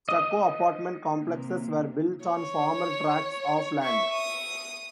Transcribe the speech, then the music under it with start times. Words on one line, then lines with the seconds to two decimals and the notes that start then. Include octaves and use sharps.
Stucco apartment complexes were built on former tracts of land.
0.09 D#5
1.19 C3 A#3
2.26 C#5
3.82 E5 C#6
4.13 D#6